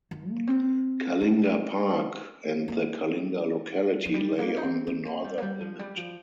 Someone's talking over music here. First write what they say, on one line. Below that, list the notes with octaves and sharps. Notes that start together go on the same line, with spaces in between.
Kalinga Park and the Kalinga locality lay on the northern limit.
D#3
A#3
C4
D#4
A#3
F3
G3
A#3
D#4
C4
C4
A#3
G3
A#3
G3
F3
G3
F3